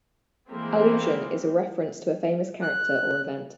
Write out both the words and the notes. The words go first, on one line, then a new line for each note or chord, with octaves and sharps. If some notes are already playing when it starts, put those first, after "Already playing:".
Allusion is a reference to a famous character or event.
E3 G#3 A#3 C4
F#6